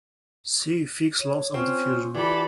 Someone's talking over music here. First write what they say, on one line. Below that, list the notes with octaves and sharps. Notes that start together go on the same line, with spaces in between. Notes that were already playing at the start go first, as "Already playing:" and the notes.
See Fick's laws of diffusion.
C#5
C4 C#4 F4
E3 G4 A4 D5 B5